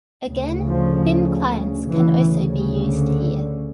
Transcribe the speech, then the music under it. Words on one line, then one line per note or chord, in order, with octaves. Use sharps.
Again, thin clients can also be used here.
D2 C#3
F3
D2 C#3 E3
D3